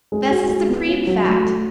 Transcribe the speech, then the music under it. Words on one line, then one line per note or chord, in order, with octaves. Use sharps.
That's the supreme fact.
G#3
F#4
G#3
B3
C#4
F#3
A3
A3